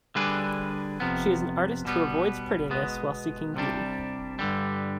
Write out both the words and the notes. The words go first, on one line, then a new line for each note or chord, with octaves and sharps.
She is an artist who avoids prettiness while seeking beauty.
D3 G3 D4 G#4 B4
F2 C3 F3 B3
B2 G3 B3
B2 G#3 B3
C2 C3 G3 D4
G2 D3 G3